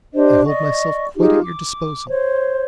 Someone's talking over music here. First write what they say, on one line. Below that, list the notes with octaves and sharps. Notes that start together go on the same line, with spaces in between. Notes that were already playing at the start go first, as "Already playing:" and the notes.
I hold myself quite at your disposal.
D4 G4 C5 D#5
D5 D#5 C#6
D#4 F4 G4 G#4
D6
C5 C#5